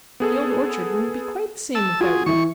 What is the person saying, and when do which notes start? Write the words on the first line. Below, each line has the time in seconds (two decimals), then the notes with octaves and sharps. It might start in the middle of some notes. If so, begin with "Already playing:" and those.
The Old Orchard wouldn't be quite the same without you.
0.20 B3 G#4 A4
1.75 A5 E6
2.01 F4 F#4 G#4
2.26 E3 E4 C#6